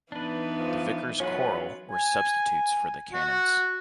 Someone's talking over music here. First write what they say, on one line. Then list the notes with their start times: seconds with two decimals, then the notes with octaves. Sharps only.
The vicars choral were substitutes for the canons.
0.12 E3 B3 D4 D#4 B4
0.59 F3
1.20 F#3 C#4 F4 B4
1.91 G#5
3.13 F#4